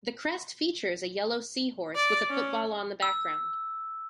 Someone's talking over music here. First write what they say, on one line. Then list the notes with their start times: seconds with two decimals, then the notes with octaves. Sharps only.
The crest features a yellow seahorse with a football on the background.
1.95 D5
2.30 C#4
3.02 E6